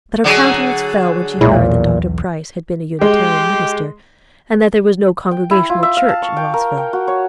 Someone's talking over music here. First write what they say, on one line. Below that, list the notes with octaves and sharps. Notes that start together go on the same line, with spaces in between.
But her countenance fell when she heard that Dr. Price had been a Unitarian minister, and that there was no Congregational church in Rosville.
D3 F#3 G#4
B1 E2 A#2 G#3 E4 C#5
G#3 G4
G5
E4
F4
E5
F5
A5
C#6
G5
A#4
G5
F#4
C#5